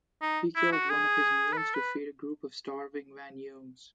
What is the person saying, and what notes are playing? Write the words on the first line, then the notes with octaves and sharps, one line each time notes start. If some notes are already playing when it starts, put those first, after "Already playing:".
He killed one of his mules to feed a group of starving Vanyumes.
D#4
E4
F#4
G#4
B4
A4
B4